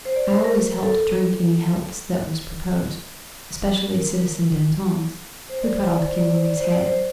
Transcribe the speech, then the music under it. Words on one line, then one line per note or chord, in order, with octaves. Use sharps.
I always helped drink any healths that was proposed--specially Citizen Danton's who'd cut off King Louis' head.
C5
D5
C5
A#4
A4
A#4
C5
D5
C5
D5
C5
D5
C5
D5
C5
D5
C5